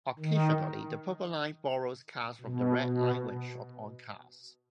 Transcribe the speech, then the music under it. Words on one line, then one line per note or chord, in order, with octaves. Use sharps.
Occasionally, the Purple Line borrows cars from the Red Line when short on cars.
D#3
B2
B2